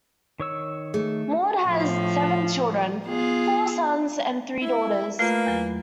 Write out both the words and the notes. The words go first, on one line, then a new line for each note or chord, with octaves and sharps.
Maude had seven children, four sons and three daughters.
D#3 C#5 E6
A3 G#4
A2 F3
B3 F4 G#4
E4
A3 A#3 F4 B4
E2 F#3